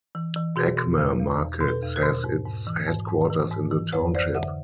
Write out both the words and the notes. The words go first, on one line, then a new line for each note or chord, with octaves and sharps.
Acme Markets has its headquarters in the township.
E3
E3
B2 F#4 G#4
B2
E2
E2
E2
B2
A4 B4
E2
A#4 C5
B2
G#2
G#2
E3
G#2
G#2
E3
G#2
E3
F2 B4 C#5
F2 C5 D5
D3 E5 F#5